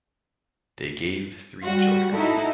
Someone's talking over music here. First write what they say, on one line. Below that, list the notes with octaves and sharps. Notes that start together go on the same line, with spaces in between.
They gave three children.
G3 F#4
D#4 E4 F#4 A4